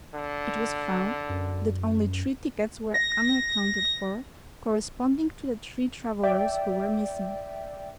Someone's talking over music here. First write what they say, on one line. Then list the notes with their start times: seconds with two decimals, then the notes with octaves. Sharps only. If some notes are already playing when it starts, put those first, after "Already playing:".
It was found that only three tickets were unaccounted for, corresponding to the three travellers who were missing.
0.14 D3
1.29 F#2
2.94 A#6
6.23 D5 E5 G5